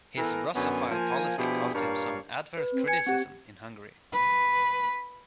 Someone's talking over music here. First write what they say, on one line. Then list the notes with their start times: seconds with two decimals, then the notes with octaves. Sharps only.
His Russophile policy caused some adverse criticism in Hungary.
0.18 E3 B3 A4 A#4
0.55 F#2 D3 B3 C#4 G#5
0.91 F3 A#3 G#5
1.38 B2 F3 D4 E4 G4 G#4
1.74 G2 A#2 A#4 C#5 D5 F5
2.57 B4
2.73 C4
2.87 G#5 G#6 C#7
3.07 C4 G4 F#5
4.13 B4